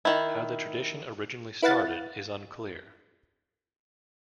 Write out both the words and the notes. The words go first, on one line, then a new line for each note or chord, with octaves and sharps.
How the tradition originally started is unclear.
D#3 E4
E4 B4 F5 F#5 A6